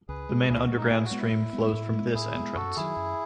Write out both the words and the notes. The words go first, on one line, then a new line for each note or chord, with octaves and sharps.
The main underground stream flows from this entrance.
C#2 G#4 B4
B2 G#3
C#2 E4 G#4
F#4
B2 G#3
D#4
A2 E4 G#4
F#4
G#3 B3
E4
A2
G#3 B3
A2
G#3
B3
A2 E4 G#4
G#3 B3
F#2 F#4 A4
D#3 F#3 E4 G#4
F#2